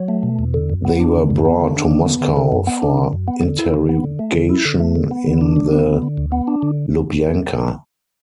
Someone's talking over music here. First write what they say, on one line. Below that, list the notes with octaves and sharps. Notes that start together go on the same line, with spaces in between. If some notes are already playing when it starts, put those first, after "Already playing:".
They were brought to Moscow for interrogation in the Lubyanka.
Already playing: F#3
A3
B2
E2
D3
F#2
B3
D4
D3
F#2
B3
D3
D4
D3
B3
D3
D3
F#2
B3
D4
D3
F#2
B3
D3
E4
D3
B3
D3
A3
D3
E4
D3
A3
D3
B3
D3
D4
D3
B3
D3
D3
D2
B3
D4
D3